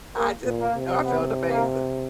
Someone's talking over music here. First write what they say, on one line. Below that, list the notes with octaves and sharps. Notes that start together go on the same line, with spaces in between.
I just I felt amazing.
A#3
A#2
A#3
C3
B3
A#3